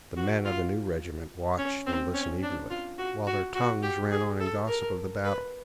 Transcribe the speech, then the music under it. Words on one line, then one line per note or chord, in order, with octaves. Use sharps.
The men of the new regiment watched and listened eagerly, while their tongues ran on in gossip of the battle.
F#4
F4
C#4
C4
C#4
D4
F4
F#4
F#4
F#4
G4
G#4
A4
A#4
B4